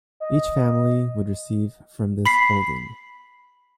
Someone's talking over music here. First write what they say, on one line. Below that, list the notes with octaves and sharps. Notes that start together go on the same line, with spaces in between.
Each family would receive from this holding.
D#5
B5 B6 C7